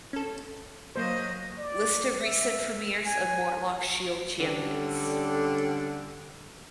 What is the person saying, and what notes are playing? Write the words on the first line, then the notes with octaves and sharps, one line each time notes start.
List of recent premiers of Mortlock Shield Champions.
C#4 A4
F#3 A#3 C5 D#5
D5
E5
G#5
D3 G3 C#4 A4